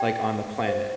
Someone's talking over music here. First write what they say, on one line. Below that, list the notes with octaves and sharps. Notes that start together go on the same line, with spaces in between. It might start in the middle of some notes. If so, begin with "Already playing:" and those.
like, on the planet.
Already playing: G4 D5 G5
G#4 C5 F5